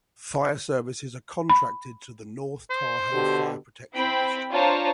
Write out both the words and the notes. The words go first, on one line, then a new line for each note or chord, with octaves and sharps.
Fire services are contracted to the North Tahoe Fire Protection District.
B5
C5
B2 D3 G4
C4 E4 G5 B5
D4 F4 C5 C#5 A5 A#5